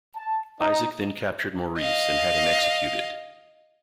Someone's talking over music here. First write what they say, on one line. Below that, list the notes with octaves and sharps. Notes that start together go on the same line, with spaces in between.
Isaac then captured Maurice and had him executed.
A5
D#4
D#5 F5